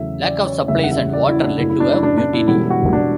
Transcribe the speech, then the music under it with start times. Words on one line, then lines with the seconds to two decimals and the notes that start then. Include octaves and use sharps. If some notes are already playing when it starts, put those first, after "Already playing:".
Lack of supplies and water led to a mutiny.
Already playing: E2 C#3 F#3 A3 E5
0.23 D5
0.47 C#5
0.68 F#1 E2 C#3 G3 E5
0.84 F#5
0.91 E5
1.13 D5
1.29 E4
1.43 D4
1.58 F#2 C#3 F#3 A3 E4
1.69 E4
1.80 D4
1.92 E4
2.03 D4
2.18 D4
2.33 E4
2.47 E1 E2 D3 G3 B3 E4
2.70 F#4
2.93 D4